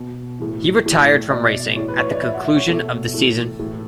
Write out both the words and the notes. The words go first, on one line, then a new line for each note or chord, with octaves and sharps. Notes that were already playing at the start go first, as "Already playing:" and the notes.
He retired from racing at the conclusion of the season.
Already playing: B2
A2 E3
A2 E3
B2 D5
A2 E3 C#5
B4
C#5
D5
A2 E3 E5
F#5
E5
C#5
B2 A4
A2 E3 A4
A2 E3